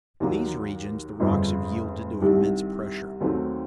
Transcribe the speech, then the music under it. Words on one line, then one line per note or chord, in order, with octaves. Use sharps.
In these regions the rocks have yielded to immense pressure.
D#2 D#3 F#3 A#3 D#4
G1 F2 C#3 F3
C2 C3 D#3 G3
D#2 D#3 F#3 A3 C4